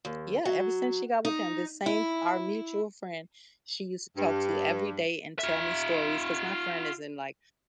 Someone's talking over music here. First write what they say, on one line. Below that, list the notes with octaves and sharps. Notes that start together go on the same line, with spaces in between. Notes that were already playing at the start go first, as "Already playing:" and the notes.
Yeah, ever since she got with him, the same our mutual friend, she used to talk to every day and tell me stories- 'cause my friend is in, like,
D#2
F#3
D#4
E4
G2
F4 E5